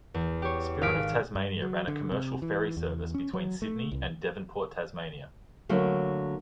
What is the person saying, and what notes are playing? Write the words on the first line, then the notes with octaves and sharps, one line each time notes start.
Spirit of Tasmania ran a commercial ferry service between Sydney and Devonport, Tasmania.
E2
G4 C#5
G#1 F5 F6 B6 D7
G2
F#3
D3
C3
E3
E2
C#4
F#3
A3
C2
D3 F#3 A3 A#3